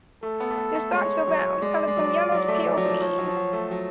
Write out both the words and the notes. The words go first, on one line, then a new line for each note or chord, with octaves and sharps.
Their stalks are round, colored from yellow to pale green.
A3 A4
B3
A3
B3
A3
G#3 C#5
F#3
G#3 D5
G#3
F#3
F#3
A3
F#3
F#3
F3
F3 C#5
F#3
F3
F#3
A3
F#3